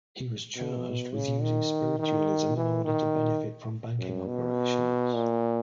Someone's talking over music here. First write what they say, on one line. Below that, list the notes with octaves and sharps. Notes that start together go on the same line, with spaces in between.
He was charged with using spiritualism in order to benefit from banking operations.
B2
C#3
D#3
D#3
E3
D#3
F#2
B2
A#2